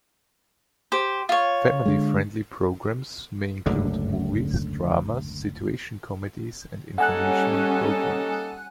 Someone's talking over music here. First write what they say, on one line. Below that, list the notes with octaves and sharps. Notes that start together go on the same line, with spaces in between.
Family friendly programs may include movies, dramas, situation comedies and informational programs.
G4 C5
F4 C#5
D3 G#3
F#1 D2 G#2 D3
G3 A#3 C#4 D#4 A4 F#5 G#5 F#6